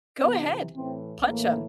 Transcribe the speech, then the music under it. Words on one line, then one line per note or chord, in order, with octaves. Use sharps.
go ahead, punch him,
C3 E3 B3
A2 E3 C4
A2 E3 A#3